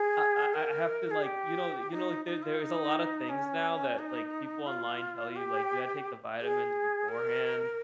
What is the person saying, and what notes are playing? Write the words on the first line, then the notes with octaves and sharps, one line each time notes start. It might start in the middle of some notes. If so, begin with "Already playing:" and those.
I I I have to, like, you know the you know, like there there's a lotta things now that, like, people online tell you, like, you had to take the vitamins beforehand.
Already playing: G#4
A#4
G#4
G4
D#4
D#4
F4
D#4
C#4
D#4
F4
G4
G#4
A#4